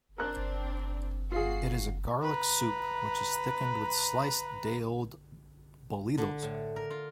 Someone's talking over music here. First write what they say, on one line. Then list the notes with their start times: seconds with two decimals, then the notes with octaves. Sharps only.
It is a garlic soup which is thickened with sliced day-old bolillos.
0.18 C4 D4 A#4 F#6
1.32 G1 F4 F#4 G#4 C7
2.23 B4 A#5
6.18 D3
6.42 A2
6.76 A#4
6.90 F4